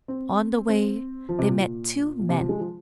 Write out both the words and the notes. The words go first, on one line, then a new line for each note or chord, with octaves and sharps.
On the way they met two men.
C4
C4
F3
C3
A#2
A#2
A#2
C3
F3
G#3
F3